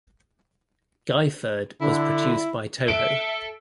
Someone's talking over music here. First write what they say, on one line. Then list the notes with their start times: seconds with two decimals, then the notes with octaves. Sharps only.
"Guyferd" was produced by Toho.
1.81 D3 E4
2.88 A4 E5 D7